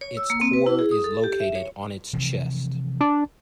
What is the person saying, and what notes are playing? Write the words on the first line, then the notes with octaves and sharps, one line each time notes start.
Its core is located on its chest.
C#5
E6
A#3
C4
B4
E4
G#4
D#6
A4
G4
E5
C#5
C3 E3 F3
D4